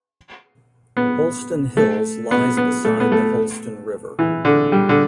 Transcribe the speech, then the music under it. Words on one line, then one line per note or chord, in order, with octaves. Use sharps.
Holston Hills lies beside the Holston River.
B3
A3
B3
B3
A3
B3
A3
E3
D3
G3
D3